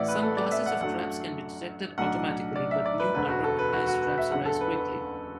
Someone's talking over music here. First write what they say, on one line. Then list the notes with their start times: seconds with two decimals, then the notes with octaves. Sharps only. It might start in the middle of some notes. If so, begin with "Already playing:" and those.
Some classes of traps can be detected automatically, but new, unrecognized traps arise quickly.
Already playing: A1 A2 E3 D5 E5 F#5
0.08 B4
0.22 A4
0.37 D5
0.51 E5
0.66 F#5
0.81 F#2 F#3 A3 D4 F#5
1.98 B1 A2 F#3 D4 F#5
2.56 D5
2.71 E5
2.86 D5
3.00 B4
3.15 E1 D2 D3 A3 B4
3.30 F#4
3.44 A4
3.59 B4
3.73 F#4
3.87 F#4
4.03 B4
4.18 E5
4.31 F#1 E2 D3 F#5
4.46 A4
4.61 B4
4.75 B4